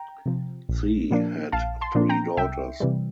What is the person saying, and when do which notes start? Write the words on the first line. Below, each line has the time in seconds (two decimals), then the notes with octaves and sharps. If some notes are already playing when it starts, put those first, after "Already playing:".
Tsi had three daughters.
Already playing: G5 A#5
0.26 C3 F3
0.69 A#1
1.11 A#2 F3 A#3 D4
1.52 A#1 F5 A5
1.81 A5 C6
1.95 A#2 F3 A#3 D4
2.09 G5 A#5
2.37 C2 E5 G5
2.80 C3 E3 G3